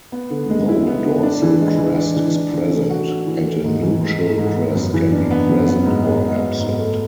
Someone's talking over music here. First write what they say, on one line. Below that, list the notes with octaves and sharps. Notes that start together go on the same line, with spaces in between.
No dorsal crest is present; and a nuchal crest can be present or absent.
B3
D3
G#3
E4
B3
D3
D4
E3
G#3
E3
D4
E3
D4
E3
A3
F#4
D4
E3
A3
G#2
E3
G#2
A3
G#2
B3
F#2
E3
D4
B3
F#2
B3
G#2
G#3
G#2
B3
G#2
A3